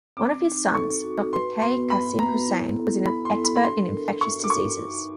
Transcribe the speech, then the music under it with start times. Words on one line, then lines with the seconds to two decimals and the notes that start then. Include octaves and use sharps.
One of his sons, Doctor K. Khasim Hussain was an expert in infectious diseases.
0.17 C4 D6
0.45 D#4
0.74 A4 C#6
1.04 F#4
1.33 B4 C6
1.61 B3 C6
1.90 B4 B5
2.19 B3 A#5
2.47 E4
2.77 A4
3.06 E4 B5
3.25 C6
3.34 A4
3.44 B5
3.56 B5
3.64 D4 C6
3.93 A#4
4.21 D4 C#6
4.44 D6
4.50 A#4 C#6
4.79 D#4